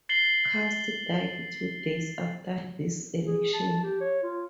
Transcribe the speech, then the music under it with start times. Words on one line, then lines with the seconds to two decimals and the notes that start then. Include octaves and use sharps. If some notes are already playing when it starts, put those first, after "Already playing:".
Cust died two days after this election.
0.09 A6 C7 F#7 G7
3.27 G#4
3.54 A5
3.83 G4
4.00 C#5
4.23 F4